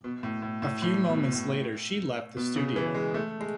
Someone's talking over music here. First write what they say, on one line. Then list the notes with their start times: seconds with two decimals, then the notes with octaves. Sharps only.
A few moments later she left the studio.
0.04 B2
0.23 A2
0.42 A2
0.62 A2
0.82 A2
1.08 B2
1.33 A2
2.37 B2
2.56 C#3
2.76 E3
2.94 G#3
3.14 A3
3.40 G#3